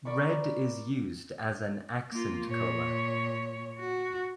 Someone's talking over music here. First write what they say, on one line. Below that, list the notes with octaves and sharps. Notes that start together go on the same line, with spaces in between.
Red is used as an "accent color".
A#4 D5 B5 C#6
A#3 F4
A#2 C#5
F#4